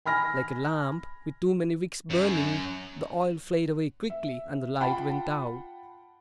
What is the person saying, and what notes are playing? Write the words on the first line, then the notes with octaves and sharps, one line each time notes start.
Like a lamp with too many wicks burning, the oil flared away quickly, and the light went out.
G#5 B5 F6 A#6
F#2
E5
F4 F#5 G5 A5 B5